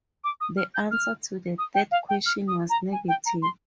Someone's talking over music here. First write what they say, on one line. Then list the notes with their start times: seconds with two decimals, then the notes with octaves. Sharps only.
The answer to the third question was negative.
0.24 D6
0.41 D#6
0.57 F6
0.74 G6
0.91 F6
1.58 D#6
1.75 G5
1.91 F5
2.09 G5
2.26 F6
2.48 D#6
2.70 A#5
2.92 G#5
3.08 G5
3.26 A#5
3.42 C6